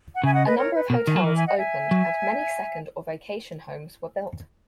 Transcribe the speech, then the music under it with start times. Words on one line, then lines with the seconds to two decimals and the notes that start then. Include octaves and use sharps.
A number of hotels opened and many second or vacation homes were built.
0.13 F#5
0.23 C#3 E5 G#5
0.34 D#5 F#5
0.45 B4 D#5
0.57 A#4 C#5
0.74 B4
0.90 B2 A#4
1.07 D#3
1.16 F#3
1.24 E3 A#4
1.35 E5 G#5
1.46 D#5 F#5
1.57 E5 G#5
1.91 F#3